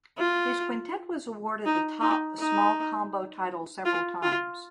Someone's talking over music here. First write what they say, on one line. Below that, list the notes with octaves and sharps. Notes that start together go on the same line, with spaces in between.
His quintet was awarded the top small combo title several times.
F4
D#4
D#4
D#4
F4
F4